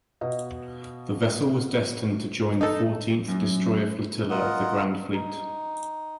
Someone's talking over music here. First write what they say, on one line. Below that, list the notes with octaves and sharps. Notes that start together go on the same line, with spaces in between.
The vessel was destined to join the Fourteenth Destroyer Flotilla of the Grand Fleet.
B2 D#5 F5
D#4 A4
F#2
F4 A#4 D#5 F#5
D#4